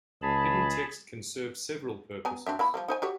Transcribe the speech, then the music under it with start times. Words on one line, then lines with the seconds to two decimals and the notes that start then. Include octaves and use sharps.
Hidden text can serve several purposes.
0.22 C#2 G#4 A5 B5
2.25 B3 G#5 A#5
2.46 C4 D4 E5
2.59 A#3 E4 B5
2.74 F3 G3 A#3
2.88 D#4 C5 G#5
3.02 F#4 G4 C#5